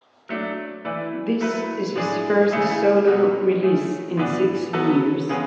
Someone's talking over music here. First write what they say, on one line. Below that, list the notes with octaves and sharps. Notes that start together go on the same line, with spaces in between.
This is his first solo release in six years.
F#3 A3 D4
E3 A3 E4 B4 D5
F#3 A3 E4 B4
A2 G#3 D4 G#4
C#3 E3 A3 E4 G#4
B2 F#3 B3 F#4
A3 C#4 G#4
A2 E3 B3 D4
F#3 B3 F#4 A4
C#3 E3 G#3 B3